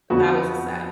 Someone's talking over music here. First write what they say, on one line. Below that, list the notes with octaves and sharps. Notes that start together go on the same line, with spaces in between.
That was a sad
F2 D3 F3 B3 F#4